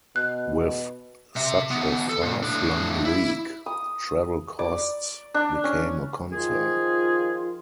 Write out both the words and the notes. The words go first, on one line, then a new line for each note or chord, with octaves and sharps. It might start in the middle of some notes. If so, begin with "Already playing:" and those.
With such a far-flung league, travel costs became a concern.
B2 F#6
C3 E5
D#3 B3
A4
C#2 A#2
A2 D4
E4
D#6
D5
D4
C#4
D#3 F3 F4 G#4 A#4